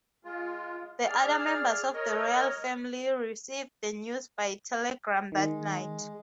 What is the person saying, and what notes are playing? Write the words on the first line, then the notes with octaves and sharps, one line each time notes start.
The other members of the royal family received the news by telegram that night.
G#3 F4
G#4 D5 F6
A#4 C#5 D#5
D#3 G#3